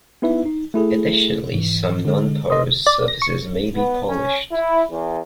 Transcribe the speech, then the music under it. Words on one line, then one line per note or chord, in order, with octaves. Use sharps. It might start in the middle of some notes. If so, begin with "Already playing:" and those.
Additionally, some nonporous surfaces may be polished.
B3 D#4 E4 B4 E5
D#4
A3 E4 G#4 A4
G#2 E3
D3 G#3
B4 D#5 C6 D#6
D5
A#6
C#6
B3
C#4
E4
E2